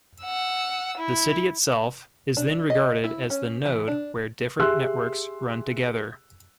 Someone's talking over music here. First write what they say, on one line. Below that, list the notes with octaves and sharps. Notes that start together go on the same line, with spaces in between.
The city itself is then regarded as the node where different networks run together.
F#5 E6
E4
D4
D#5
E4
C#4
E3
D4
G4 G#4 E5 C6 E6 F#6